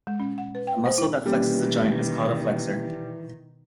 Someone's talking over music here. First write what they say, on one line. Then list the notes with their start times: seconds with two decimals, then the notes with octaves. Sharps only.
A muscle that flexes a joint is called a "flexor".
0.07 G#3
0.20 C#4
0.38 F#5
0.55 B4
0.67 G5
0.86 C5
0.98 E4
1.26 B2 D#3 E3 G3 A#3 C#4